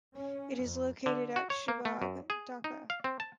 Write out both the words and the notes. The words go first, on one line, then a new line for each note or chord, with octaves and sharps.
It is located at Shahbag, Dhaka.
C#4
F2
D3
F#4
C#5
A#3
A3
F#2
G#4
D#4
F5
C4
A5